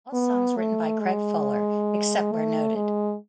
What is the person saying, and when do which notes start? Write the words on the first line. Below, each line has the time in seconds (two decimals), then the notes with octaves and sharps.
All songs written by Craig Fuller, except where noted.
0.14 B3
0.57 A3
1.01 G#3
2.32 A3
2.76 G#3